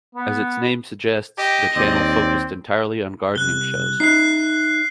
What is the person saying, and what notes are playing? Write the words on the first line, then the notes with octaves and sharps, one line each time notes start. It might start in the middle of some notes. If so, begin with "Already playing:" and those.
As its name suggests, the channel focused entirely on gardening shows.
B3
G4 D#5
D#2 C4 D5
C2 F#6 G7
D#4 D#5 E5 F#6 C7